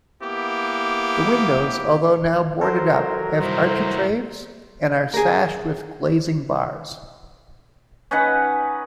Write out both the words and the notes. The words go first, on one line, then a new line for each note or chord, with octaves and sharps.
The windows, although now boarded up have architraves and are sashed with glazing bars.
A#3 B3 E4 G4 D6
F#3 F#4 A4 A#4 C5
G2 E4 C5
G#4 A#4
C#4 D#4 B4 F#5